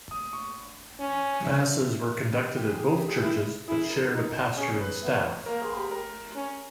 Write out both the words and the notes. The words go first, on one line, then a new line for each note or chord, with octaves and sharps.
Masses were conducted at both churches, but shared a pastor and staff.
D#6
C#6
C#4
E5
G4
G4
G#4
G4
G4
G#4
E4
E4 G#4
A#4
D#4
C#4 G#4
B4
B3 E5
C#5
A#3 A#4
G#4
G4
A#4
C#4